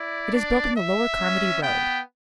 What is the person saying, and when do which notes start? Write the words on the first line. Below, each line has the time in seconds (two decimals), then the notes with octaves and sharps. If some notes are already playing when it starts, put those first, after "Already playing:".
It is built on the lower Carmody road.
Already playing: E4 D5
0.33 D4
0.76 E5
1.20 C#4
1.62 B3 G5